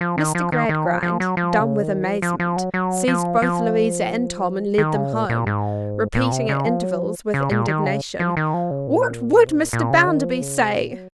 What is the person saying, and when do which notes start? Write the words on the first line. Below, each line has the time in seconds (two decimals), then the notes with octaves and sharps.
Mr. Gradgrind, dumb with amazement, seized both Louisa and Tom and led them home, repeating at intervals, with indignation: "What would Mr. Bounderby say!"
0.01 F3
0.18 D#3
0.35 F3
0.52 D#3
0.69 D#3
0.86 F3
1.03 F3
1.20 F#3
1.37 F3
1.60 C#3
1.83 D#3
2.05 F3
2.22 F3
2.40 F3
2.57 F#3
2.74 F#3
3.08 F3
3.42 F3
4.78 D#3
4.95 C#3
5.13 A#2
5.29 A#2
5.47 G#2
6.15 A#2
6.32 C3
6.49 C#3
6.66 F3
6.83 F#3
7.00 F3
7.34 C#3
7.51 A#2
7.68 D#3
7.86 C#3
8.20 F3
8.37 D#3
8.54 F3
8.71 C#3
8.87 A#2
9.47 C3
9.56 A#2
9.73 A#2
9.91 C#3
10.07 D#3
10.24 F3
10.41 C#3
10.58 C3
10.75 A#2
10.93 F#3